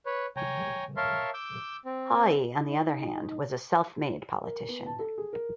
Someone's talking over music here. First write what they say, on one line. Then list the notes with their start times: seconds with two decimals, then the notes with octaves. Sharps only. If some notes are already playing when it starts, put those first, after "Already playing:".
Haughey on the other hand was a self-made politician.
0.06 B4 C#5
0.36 C#5 G5 G#5 A#5
0.97 A#4 C#5 E5 F5 A5 C6
1.34 D6 E6 G6
1.85 C4
2.61 D#4
4.45 A#4
4.69 B3
4.86 A5
4.99 A4
5.18 G#4
5.33 A#4